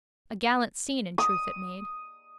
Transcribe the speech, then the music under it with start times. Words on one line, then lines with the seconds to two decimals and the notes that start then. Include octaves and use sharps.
A gallant scene in truth it made.
1.18 D#6